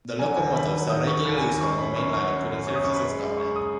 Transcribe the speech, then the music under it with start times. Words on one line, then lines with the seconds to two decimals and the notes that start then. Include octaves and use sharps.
The locomotive saw regular use along the mainline, including services in Scotland.
0.19 F#3 G#5
0.36 D#2 G#5
0.54 D#3 B5
0.72 F#3
0.90 D#3 D#6
1.07 D#3 C#6
1.25 D#2 B5
1.37 G#5
1.43 D#2
1.61 F#2 C#6
1.78 C#4 B5
1.96 F#2 C#6
2.13 F#3 C#6
2.31 F#2
2.49 F#2
2.67 C#4 C#6
2.75 D#6
2.84 F#2 C#6
2.93 B5
3.02 G#3
3.20 G#3
3.37 C#3 C#6
3.56 D#6